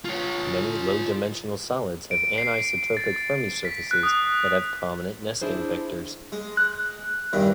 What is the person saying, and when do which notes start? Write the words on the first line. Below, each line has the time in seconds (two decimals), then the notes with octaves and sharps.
Many low-dimensional solids have anisotropic Fermi surfaces that have prominent nesting vectors.
0.05 F4 C#5
2.11 D7
2.38 C7
2.97 A6
3.65 B6
3.91 F#6
4.03 D#6
5.42 D4 E4 G#4 C5
6.32 G#3
6.57 F#6
7.33 E2 G2 D#3